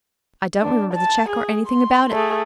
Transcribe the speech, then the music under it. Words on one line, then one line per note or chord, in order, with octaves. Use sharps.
I don't remember the cheque or anything about it.
D4
A5
G#4
C6
A3 G#4